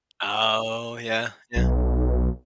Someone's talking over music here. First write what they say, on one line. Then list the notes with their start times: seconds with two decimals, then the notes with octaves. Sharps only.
Oh, yeah. Yeah.
1.56 B1